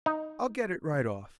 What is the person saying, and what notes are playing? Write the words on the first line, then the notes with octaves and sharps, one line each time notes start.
I'll get it right off.
D#4